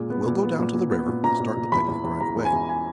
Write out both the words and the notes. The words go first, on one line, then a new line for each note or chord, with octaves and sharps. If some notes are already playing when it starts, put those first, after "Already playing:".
But we'll go down to the river and start the picnic right away.
Already playing: A#2 G#3
B3
A#2
B3
A#2
A#2
B3
A#2
A#2 A#5
A#2
A#2
E2 B5
E2
E2
E2 A#5
E2
G#5
E2
G#5